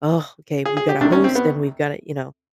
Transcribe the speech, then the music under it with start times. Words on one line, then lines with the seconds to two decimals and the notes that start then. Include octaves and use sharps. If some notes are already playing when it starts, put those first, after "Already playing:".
"Oh, okay, we've gotta host, and we've gotta" you know?
0.65 G#4
0.77 G#4
0.89 G4
1.01 D2 C3 D#3 D4
1.12 C#4
1.24 C4
1.35 B3